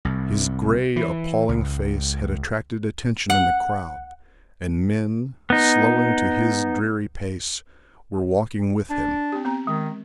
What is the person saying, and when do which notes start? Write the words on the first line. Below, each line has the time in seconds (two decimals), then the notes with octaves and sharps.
His gray, appalling face had attracted attention in the crowd, and men, slowing to his dreary pace, were walking with him.
0.05 C2
0.96 E3
1.49 C#2
3.30 F#5
5.50 B3 D#4
8.90 D4
9.32 C4 G4
9.45 B3 C4 A#5
9.67 D#3 G#3